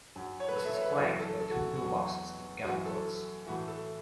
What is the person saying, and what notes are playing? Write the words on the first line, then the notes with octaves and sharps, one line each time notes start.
This is flanked by two pillboxes with gun ports.
F#2 F#3
C#5
B4
A4
E5
C#5
B4
A4
F#2 C#3 E3 F#4
A4
A4
F#4
F#4
E2 B2 F#3
F#2 E3 F#4
A4
A2 E3 F#4
A4